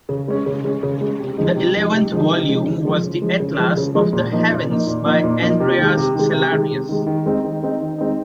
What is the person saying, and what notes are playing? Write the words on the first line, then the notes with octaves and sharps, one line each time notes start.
The eleventh volume was the Atlas of the Heavens by Andreas Cellarius.
C#3
G#3 C#4
C#3
G#3 C#4
C#3
G#3 C#4
C3
F3 G#3 D#4
C3
F3 G#3 D#4
C3
F3 G#3 D#4
C3
F3 G#3 D#4
C#3
F3 G#3
C#3
F3 G#3
C#3
F3 G#3
C#3
F3 G#3
A#2
F3 A#3 D#4
A#2
F3 A#3 D#4
A#2
F3 A#3 D#4
A#2
F3 A#3 D#4
C3
D#3 G#3
C3
D#3 G#3
C3
D#3 G#3
C3
D#3 G#3
D#3
G#3 C4 D#4
D#3
G#3 C4 D#4
D#3
G#3 C4 D#4